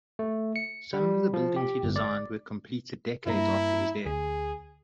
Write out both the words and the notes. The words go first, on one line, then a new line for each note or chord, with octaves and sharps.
Some of the buildings he designed were completed decades after his death.
A3
C#7
G3
F3
G4
G1
D5
G2 A#3 E4 A#5
D2 G#4